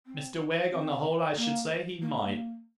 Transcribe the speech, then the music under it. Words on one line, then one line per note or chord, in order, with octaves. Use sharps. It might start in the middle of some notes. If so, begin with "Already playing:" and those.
'Mr Wegg, on the whole I should say he might.'
C4
C4
A#3
A#3
A#3